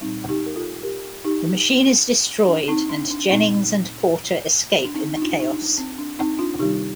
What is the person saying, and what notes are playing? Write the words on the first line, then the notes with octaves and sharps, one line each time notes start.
The machine is destroyed, and Jennings and Porter escape in the chaos.
A#2 G3 C4 D#4
D#4 G4
A#4
F4 A4
G4 A#4
D#4 G4
D4
C4 D#4
D4
D4
A#2 A3 C4 D#4
D4
C4 D#4
D#4
D4 F4
D#4
D4
C4
D4
C4 D#4
D4 F4
C3 D#3 G3 D#4 G4